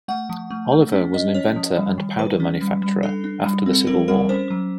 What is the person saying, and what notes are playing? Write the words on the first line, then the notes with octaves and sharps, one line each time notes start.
Oliver was an inventor and powder manufacturer after the Civil War.
A3 F#5
F3
A3
A3
C#4
C#4 D#5
C#4 C#5
F3
G3
D#3
D#3 B4
C#4
G3
G3
D4 A4
D4
G3
C4
A4
C4 A#4
G3 A#4
C#4 C5
F#3